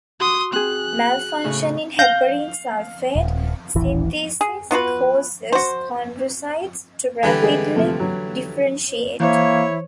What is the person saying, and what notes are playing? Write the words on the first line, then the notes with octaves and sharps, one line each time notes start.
Malfunction in heparin sulfate synthesis causes chondrocytes to rapidly differentiate.
F#4 C6 D#6
C4 G#4 F#6
A2 C#3
F5 G6 A#6
D#1
D#1 A1 E3
G#4
B3 F4 F#4 B4
F#4 C5
D3 E3 G3 B4 G#5
G#3 G#4 D#5
C3 F3 A3
F#3
E3 A#3 E4 C5 C#5